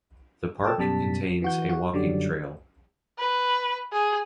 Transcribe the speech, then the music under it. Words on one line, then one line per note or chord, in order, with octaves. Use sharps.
The park contains a walking trail.
A4 G5 A5
F#2 B2 G3 A5 B6
E3 F#4 G6
F#4
F#2 D3 F#3 G3 D5
B4
G#4